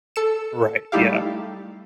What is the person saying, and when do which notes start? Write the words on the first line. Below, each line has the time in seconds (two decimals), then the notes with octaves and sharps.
Right, yeah.
0.16 A4 C#7 E7
0.92 G3 A3 D#4 E4 G4 F5